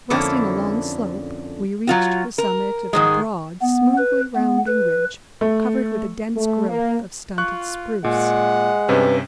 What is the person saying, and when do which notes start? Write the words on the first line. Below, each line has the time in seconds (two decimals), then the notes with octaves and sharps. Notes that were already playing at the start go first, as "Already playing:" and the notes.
Breasting a long slope, we reached the summit of a broad, smoothly rounding ridge covered with a dense growth of stunted spruce.
0.10 F2 D3 A#3 C#4 E4 A4
1.87 F#3 F4 F#4
2.38 A#4
2.93 G#2 D#3 G#3
3.62 B3
3.98 B4
4.35 B3
4.67 B4
5.41 A3
6.36 A3
6.69 A#3
7.38 F4 C#6 F#6
8.04 A#2 G#3 F#5
8.88 G2 C3 C#4 B4